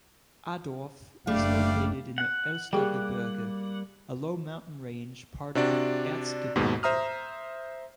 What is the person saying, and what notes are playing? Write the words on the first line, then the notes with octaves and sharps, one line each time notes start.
Adorf is located in the Elstergebirge, a low mountain range, part of the Erzgebirge.
F#1 G3 A3 D4 D5 F5
F#5
G3 A#3 G4 G#4 G5
C3 D4 F#4 D5
D#2 G#2 B2
C5 E5 A#5 D#6 F6